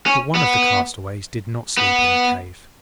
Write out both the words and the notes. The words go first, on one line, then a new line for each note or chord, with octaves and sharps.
But one of the castaways did not sleep in the cave.
C#4
B3
B3